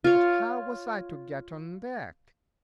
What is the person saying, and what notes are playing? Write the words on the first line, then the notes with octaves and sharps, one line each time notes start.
But how was I to get on deck?
F4 C#5